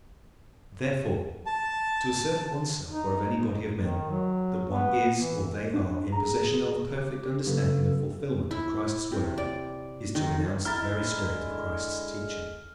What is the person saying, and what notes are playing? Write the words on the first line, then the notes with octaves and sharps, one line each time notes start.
And therefore, to assert of one's self or of any body of men, that one is or they are in possession of perfect understanding and fulfillment of Christ's word, is to renounce the very spirit of Christ's teaching.
A5
D#4
D#3
F#3
B3
E3
D4
G#4 A#5
G4
F#2 C#3 B3 A4
E4
C3
D5
D#3
D3 G#3 E4 A#5 F6 A6